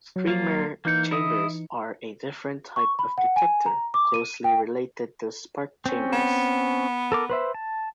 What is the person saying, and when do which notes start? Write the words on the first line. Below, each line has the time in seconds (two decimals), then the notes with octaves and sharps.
Streamer chambers are a different type of detector, closely related to spark chambers.
0.16 F#3
0.27 A#3 F4
0.85 E3 A#3 D#4 G6 C#7
1.11 E4 D#5 D#6
2.76 C#6
2.99 B5
3.18 F#5
3.36 G#5
3.66 A#5
3.94 D6
4.14 D#7
4.44 G5
5.86 C4 C#4
6.13 B3
7.12 A4 A#4 D6
7.30 B4 C5 E5
7.54 A5